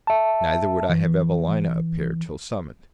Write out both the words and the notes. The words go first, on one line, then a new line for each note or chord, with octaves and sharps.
Neither would I have Evelina appear till summoned.
E5 A5
E3